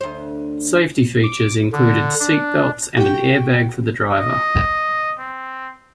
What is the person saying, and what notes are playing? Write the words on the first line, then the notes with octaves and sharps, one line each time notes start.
Safety features included seat belts and an airbag for the driver.
D2 C5
D6
D3
D4
F#4 G4 G5
D#5
C4